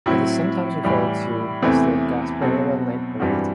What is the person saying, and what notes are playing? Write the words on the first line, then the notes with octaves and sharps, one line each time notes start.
It is sometimes referred to as the "Gasparilla Night Parade".
A2 F#3 C4 E4
A2 E3 G3
E2 C3 E3 A3 C4
B2 F#3 C4 F#4 A4
G2 E3 G3 C4 F#4